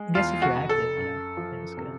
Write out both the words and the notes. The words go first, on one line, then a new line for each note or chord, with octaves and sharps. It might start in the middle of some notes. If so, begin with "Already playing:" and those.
guess if you're active, you know, then it's good.
Already playing: G#3
E2 F4
F#4
F1
A4
F#2
F3
C3